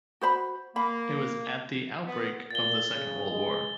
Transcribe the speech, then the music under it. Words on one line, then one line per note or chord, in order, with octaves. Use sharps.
It was at the outbreak of the Second World War.
F#4 C5 B5
A#3 B5
B3
A#2 A6 G7
C#3
G#3